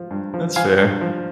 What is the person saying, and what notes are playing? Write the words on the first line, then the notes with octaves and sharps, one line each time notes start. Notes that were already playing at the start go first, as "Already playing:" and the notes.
That's fair.
Already playing: F3
G2
F3
F3 F5 G#5
G2
F3